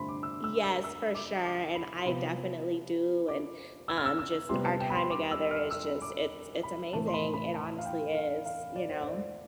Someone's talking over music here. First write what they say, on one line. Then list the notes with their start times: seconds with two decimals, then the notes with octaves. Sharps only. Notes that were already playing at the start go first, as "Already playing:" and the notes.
yes, for sure, and I definitely do, and, um, just our time together is just it's it's amazing, it honestly is, you know?
Already playing: G2 D3 A3 C4 B5 C6
0.09 D6
0.23 E6
0.44 E6
0.63 E6
0.84 E6
1.15 D6
1.45 D6
1.75 B5
1.97 C6
2.06 C3 F3 B3 B5
3.28 D6
3.88 E6
3.98 F6
4.06 E6
4.19 E6
4.49 C3 G3 B3 C6
4.64 A5
4.80 G5
4.90 B5
4.95 C6
5.11 D6
5.31 E6
5.51 F6
5.71 E6
6.02 D6
6.63 B5
6.93 A2 E3 A3 C4 A5
7.08 C6
7.14 B5
7.33 B5
7.54 A5
7.79 F5
7.85 G5
8.15 F5
8.46 F5
8.76 D5
8.91 C5
9.02 D5
9.07 C5